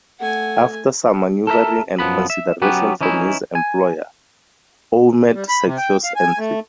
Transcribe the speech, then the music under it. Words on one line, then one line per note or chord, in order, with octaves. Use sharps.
After some maneuvering and consideration from his employer, Ouimet secures entry.
A3 F#5 G#5
A4 A#4 C5 E5
F#2 F3 B3 B5
E5
F#3 B3 C#4 G4 B4
E3 C#4 D#4 E4
G#5
G3
B5
C3
G5
F5
G#5
A3